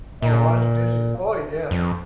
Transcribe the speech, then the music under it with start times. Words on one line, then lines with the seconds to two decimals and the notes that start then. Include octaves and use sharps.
Oh, washing dishes. Oh, yeah.
0.22 A#2
1.71 F2